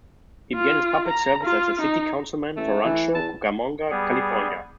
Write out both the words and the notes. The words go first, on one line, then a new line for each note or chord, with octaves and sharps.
He began his public service as a City Councilman for Rancho Cucamonga, California.
F4
A#5
F4
D#4
A1 A3
E3
E2 A5
G3 B3 G#4